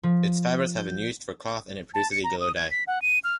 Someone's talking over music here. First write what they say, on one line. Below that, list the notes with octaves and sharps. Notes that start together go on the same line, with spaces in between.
Its fibers have been used for cloth and it produces a yellow dye.
F3
G6
A5
C#7
A#5
D#6
G#6
B6
F#5
D#7
F6